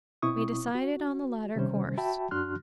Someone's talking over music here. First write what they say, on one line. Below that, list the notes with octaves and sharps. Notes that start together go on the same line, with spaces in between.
We decided on the latter course.
B2 C4 E4 C#6 D#6
F#4
C3 D#3 G3 C#4 C5
F#4 E5 G5 A5 B5
F#2 D4 F#4 C6 F6 F#6